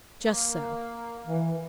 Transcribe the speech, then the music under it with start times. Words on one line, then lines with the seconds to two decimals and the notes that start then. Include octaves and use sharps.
"Just so."
0.23 A#3
1.27 E3